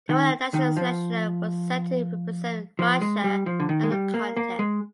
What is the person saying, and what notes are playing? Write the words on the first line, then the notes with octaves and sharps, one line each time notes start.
They won the national selection and were set to represent Russia at the contest.
D#3
D#3
F3
F3
G#3
G3
F3
D3
D#3
G#3
G3
A#3
A#3
G#3